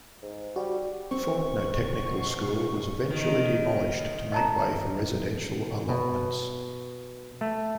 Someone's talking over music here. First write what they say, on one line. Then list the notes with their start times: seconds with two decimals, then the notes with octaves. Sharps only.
Fawkner Technical School was eventually demolished to make way for residential allotments.
0.23 G#2
0.56 G3 F#4
1.11 C4 C#6
1.92 B2
3.10 D#3
4.32 D#5 A5 A#5
5.89 B2
7.41 A3